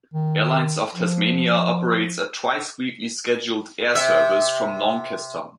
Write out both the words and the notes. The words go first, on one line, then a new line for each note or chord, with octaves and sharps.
Airlines of Tasmania operates a twice-weekly scheduled air service from Launceston.
D#3
F3
C3 E5